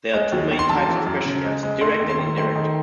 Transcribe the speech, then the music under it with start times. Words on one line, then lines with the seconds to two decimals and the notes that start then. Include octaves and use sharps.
There are two main types of questionnaires; direct and indirect.
0.14 G#3
0.32 D#2
0.51 D#2
0.59 C6
0.69 F#2 A5
0.89 E3
1.06 F#2
1.26 C#3
1.44 G#3
1.63 G#3
1.81 A3 C6
2.00 D#2
2.09 C6
2.19 D#3
2.38 A3 C6
2.56 D#3